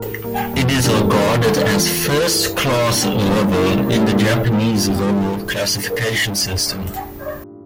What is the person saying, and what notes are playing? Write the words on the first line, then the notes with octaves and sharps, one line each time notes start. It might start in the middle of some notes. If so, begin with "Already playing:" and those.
It is regarded as a "first class river" in the Japanese river classification system.
Already playing: A2 A#4
G3 A#3
F2
C#3 E3 G3 A#3
A4
E2 A#4
D3 A3
E2 F4
E3 A3
G2 E4
E3 A#3
A#2 D4
C#4
F3 A#3
D4
C#3 E4
G3 A#3
A2
E3 A#3
G2 F4
G4
E3 A3
G4